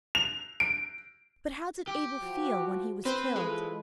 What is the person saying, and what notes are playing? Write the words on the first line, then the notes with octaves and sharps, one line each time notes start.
But how did Abel feel when he was killed?
F7
D7
G4
F3 F#4
C4 B4 C5
E3 F3 G#3 A4